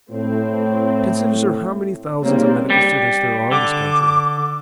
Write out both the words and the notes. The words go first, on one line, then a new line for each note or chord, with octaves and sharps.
Consider, sir, how many thousands of medical students there are in this country.
A2 C4
C#3 G3 A#3 C4 D#4 C#5
G3
D3 D6